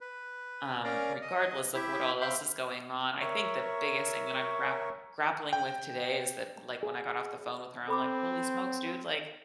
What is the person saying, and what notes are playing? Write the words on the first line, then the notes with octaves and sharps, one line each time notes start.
um, regardless of what all else is going on. I think the biggest thing that I'm grapp grappling with today is that, like, when I got off the phone with her, I'm like, "Holy smokes, dude, like,
B4
C#4 A#4 D5 F5 A#5
D#5
E4 G4 E5
C5 E5 F5 G5 B5
A#4 C#5 E5 C#6
G5
G#4
C4 A4 B5 D6